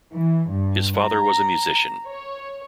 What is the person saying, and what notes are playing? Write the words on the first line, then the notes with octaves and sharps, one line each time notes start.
His father was a musician.
E3
G2
A#5
C#5